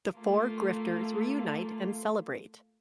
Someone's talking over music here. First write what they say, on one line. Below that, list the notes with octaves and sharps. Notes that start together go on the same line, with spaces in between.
The four grifters reunite and celebrate.
A3 A#3 F4